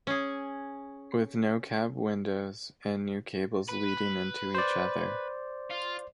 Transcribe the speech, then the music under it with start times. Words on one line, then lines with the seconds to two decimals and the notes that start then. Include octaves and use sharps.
With no cab windows and new cables leading into each other.
0.07 C#4 G#4
3.69 B4
4.55 C5 D5
5.71 F4